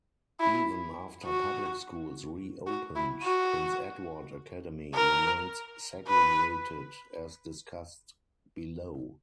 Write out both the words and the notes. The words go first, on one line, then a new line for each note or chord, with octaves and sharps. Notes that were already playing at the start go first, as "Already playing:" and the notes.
Even after public schools re-opened, Prince Edward Academy remained segregated as discussed below.
E4
F#4
F#4
E4
F#4
A#4
B4